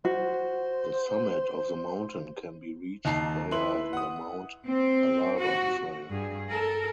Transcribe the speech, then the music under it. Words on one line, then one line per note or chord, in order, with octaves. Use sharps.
The summit of the mountain can be reached via the Mount Alava Trail.
F#4 C5
D#2 D#4 A5 C7
E4 B4 C6 F#7
F#5 D#6
C4
F#4
G2 G#4
A4 A#4